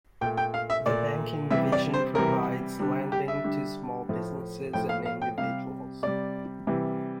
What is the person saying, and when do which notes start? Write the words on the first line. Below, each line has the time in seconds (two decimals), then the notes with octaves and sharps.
The Banking division provides lending to small businesses and individuals.
0.21 A#2 G5
0.25 A3
0.37 G5
0.54 F5
0.70 E5
0.86 A#2 A3 D5
1.50 C3 E3 G3 E5
1.72 D5
1.94 C5
2.15 C3 E3 G3 A#4
2.79 D3 G3
3.12 G4
3.28 E5
3.44 D3 G3
4.09 A2 F3 A3
4.73 A2 F3 A3 G5
4.89 F5
5.05 F5
5.22 G5
5.38 C3 G3 F5
6.03 C3 G3 D5
6.67 C3 E3 G3